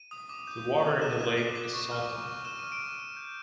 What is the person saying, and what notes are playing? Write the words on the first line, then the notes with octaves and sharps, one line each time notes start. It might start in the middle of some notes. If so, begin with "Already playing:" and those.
The water in the lake is salty.
Already playing: D#7
D#6
D6
G6
G6
G6
F#6 E7
D#7
D6 E7
D6
D6
C#6
F6
C#6
C#6
F6 E7
F6 D#7
D7
C#6
D#7
F6
G6